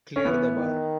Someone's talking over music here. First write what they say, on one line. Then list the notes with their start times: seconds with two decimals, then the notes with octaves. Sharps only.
Clear the Bar.
0.16 C#4
0.25 E3 B3
0.56 D#3